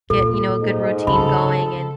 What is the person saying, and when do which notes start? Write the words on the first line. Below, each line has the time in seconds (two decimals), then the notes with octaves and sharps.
get, you know, a good routine going and
0.10 A#2 A4
0.61 G#2 D#4
1.07 C#3 A4 B5